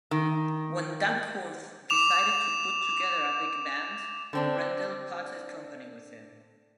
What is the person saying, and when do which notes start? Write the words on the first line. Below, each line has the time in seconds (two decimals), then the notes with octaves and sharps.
When Dankworth decided to put together a big band, Rendell parted company with him.
0.11 D#3
1.90 D6 E7 F7
4.33 D3 C4 D4